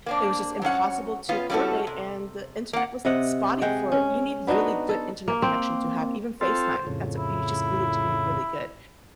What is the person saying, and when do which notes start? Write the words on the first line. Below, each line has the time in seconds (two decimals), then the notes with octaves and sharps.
it was just impossible to coordinate, and the internet was spotty for you need really good internet connection to have, even FaceTime, that's a you just need it to be really good.
0.06 A#3 C4 D4
0.62 F#3 C4 C#4 F#5
1.29 B3 C#4 F4
1.50 G3 A3 C#4 E4 F#4 A4
1.87 C3
2.73 A#3 F#5
3.05 C3 D#5 F#5
3.61 G#3 F#5 G5
3.92 C#4
4.47 B3 D4 D#4 F#4
4.89 A4
5.28 A#3
5.42 C4
6.41 C4 F4 A4 C5
6.87 F2 A2 C#3
7.16 E4